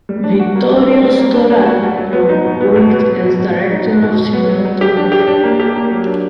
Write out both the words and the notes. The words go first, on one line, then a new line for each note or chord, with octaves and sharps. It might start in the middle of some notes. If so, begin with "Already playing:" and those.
Vittorio Storaro worked as director of cinematography.
G3
D4
F#4
A#3
D4
D4
G3
A#3
D4
D4
F#4
G3
F#3
B3
D#4
B2
B3
B2
B3
F#3
B2
B2
F#3
D#4
B2
B2
B2
B3
F#3
F#3
G4
D4
G4
D4
A#3
G4
A#3
F#3
D4